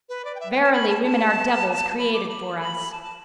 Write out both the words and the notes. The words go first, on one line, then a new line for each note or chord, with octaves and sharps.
'Verily women are devils created for us.
B4
D5
G5
E5
G5
A5
B5
A5
A5
B5
D6
B5
B5
A5
A5